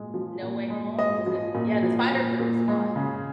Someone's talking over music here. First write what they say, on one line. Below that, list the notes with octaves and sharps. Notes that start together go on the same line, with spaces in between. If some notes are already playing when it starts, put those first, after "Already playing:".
No Way Home, was it yeah, the Spider-Verse one.
Already playing: A#2 G#3
F3
A#2
G#3
G#3 D#5
F3
A#2
F3
A#2
A#2
G#3
C#3